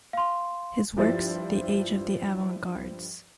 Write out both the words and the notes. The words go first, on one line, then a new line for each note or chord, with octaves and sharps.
His works ""The age of the avant-gardes.
F5 C6
G2 F3 E4 C5 A6